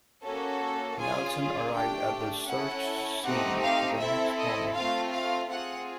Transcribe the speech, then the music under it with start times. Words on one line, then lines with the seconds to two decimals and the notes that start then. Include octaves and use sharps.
Nelson arrived at the search scene the next morning.
0.23 A#3 C#4 F#4 A4
0.99 C#4 F4 G#4 G#5
1.74 A3 D4 G4 G5
2.49 C#4 E4 A4 F#5
3.25 A3 C4 D#4 G4 F#5
3.63 F5
4.00 C4 E4 A4 E5
4.38 D#5
4.76 A3 C4 F4 F5
5.13 F5
5.51 C4 F4 G#4 F#5